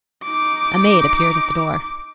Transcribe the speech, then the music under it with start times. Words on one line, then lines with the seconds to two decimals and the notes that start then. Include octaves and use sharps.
A maid appeared at the door.
0.24 D#4 D6